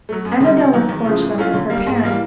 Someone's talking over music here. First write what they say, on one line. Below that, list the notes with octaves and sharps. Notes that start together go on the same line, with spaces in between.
Amabel, of course, went with her parents.
F#3 A3
F#2
D3 G3
C3
D#3 F#3
E2
C#3 F3 G#3
A2
F#3 A3 C#4 F4
D3
G3 A#3
G#2
E3 G3 A#3